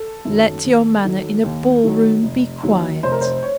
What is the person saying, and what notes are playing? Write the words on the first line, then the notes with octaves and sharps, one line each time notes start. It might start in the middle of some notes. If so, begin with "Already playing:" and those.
Let your manner in a ball room be quiet.
Already playing: A4
F#2 D#3 F#3
D#2
D#3 F#3
D#2
D#3 F#3
F1
D#2 D#3 F#3
F1 C5
A#4
C5
C#5